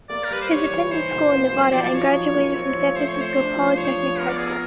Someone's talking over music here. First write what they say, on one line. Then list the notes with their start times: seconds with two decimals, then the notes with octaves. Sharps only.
His attended school in Nevada, and graduated from San Francisco Polytechnic High School.
0.09 A#3 D5
0.24 A#4
0.30 G3 B4
0.42 C5
0.50 G3 C#5
0.70 E3 C#5
0.91 D#4 C5
1.11 A#2
1.32 B3
1.52 F#3
1.72 F3 D5
1.85 D5
1.93 F3 C#5
2.14 D#4
2.34 A#3
2.55 C4 C#5
2.75 F3
2.95 A3 C5
3.08 C#5
3.16 A3
3.21 C5
3.37 D4
3.56 F3
3.77 F3 C#5
3.97 F3
4.17 B3 A#4
4.29 D5
4.38 B3 G#4
4.49 A#4